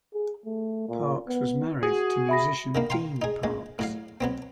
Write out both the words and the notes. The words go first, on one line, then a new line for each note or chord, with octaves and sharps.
Parks was married to musician Dean Parks.
G#4
A3
A#2
B3
F#4 G#4
E5 B5 A#6
D3 D#3 A#3
F5 G5 A#5 C6
D#4 G#4
A#1 G#3
A2 F#3 F5
F#3 B3 C4